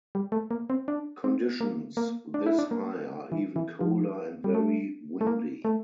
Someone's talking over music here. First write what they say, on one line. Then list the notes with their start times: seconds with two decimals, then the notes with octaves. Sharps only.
Conditions this high are even colder and very windy.
0.15 G3
0.32 A3
0.51 A#3
0.70 C4
0.88 D4
1.24 C4
1.61 A#3
1.97 A#3
2.34 D4
2.46 E4
2.59 D4
2.71 A#3
3.32 E3
3.56 E3
3.81 F3
4.44 G3
4.54 A3
5.21 A3
5.27 A#3
5.65 A3